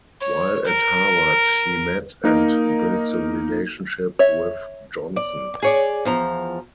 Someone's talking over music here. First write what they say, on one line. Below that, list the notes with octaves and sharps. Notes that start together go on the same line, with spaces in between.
While at Harvard he met and built the relationship with Johnson.
C#5
A#4
A#3 D#4 A#4
C#5 E5
D5
G#4 C#5 D5
E2 F3 A#5